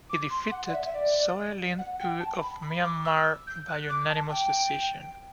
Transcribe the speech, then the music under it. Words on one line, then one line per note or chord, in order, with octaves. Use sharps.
He defeated Soe Lin Oo of Myanmar by unanimous decision.
D6
C6
F#5
D5
E5
E5
D5
F#5
G5
A5
B5
B5
D6
E6
G6
F#6
D6
A5
G5